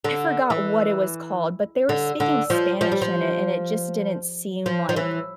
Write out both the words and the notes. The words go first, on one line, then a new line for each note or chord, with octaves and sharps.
I forgot what it was called, but they were speaking Spanish in it, and it just didn't seem, like,
D3
E3
D3
D3
F3
F3
G3
F3
F3
F3
E3